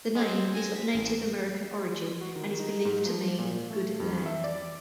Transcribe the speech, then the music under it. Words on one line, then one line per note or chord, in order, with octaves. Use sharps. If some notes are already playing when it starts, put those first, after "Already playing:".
The name is of Native American origin and is believed to mean "good land".
G#3 C4
G#5 A#6
B6
A1
F#4
D#3
D#4
G#2
F3
A#2
A3
F2
E5
D5